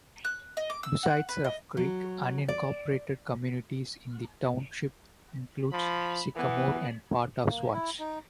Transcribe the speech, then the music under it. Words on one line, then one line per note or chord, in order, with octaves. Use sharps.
Besides Ruff Creek, unincorporated communities in the township include Sycamore and part of Swarts.
F#6
D#5
D6
E6
F#5
B4
D#5
F#3
D5
F3 B5
E3 B3
A#3
E4
D#4